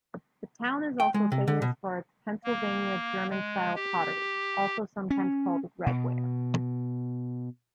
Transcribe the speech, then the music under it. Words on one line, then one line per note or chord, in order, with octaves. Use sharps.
The town is also famous for its Pennsylvania German-style pottery, also sometimes called redware.
G5
G#3
C3
D3
B2
A#3
G#3
G4
C#4
B2